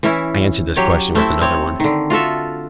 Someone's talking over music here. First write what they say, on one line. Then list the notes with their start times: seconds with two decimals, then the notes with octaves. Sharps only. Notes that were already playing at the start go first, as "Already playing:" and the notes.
I answered this question with another one.
0.03 E3 C#4 E4
0.77 F#3 G4 C#5
1.15 A3 C4 E4 E5
1.41 C4 C#5
1.80 D3 D#3
2.10 F4 F#4 A4 E5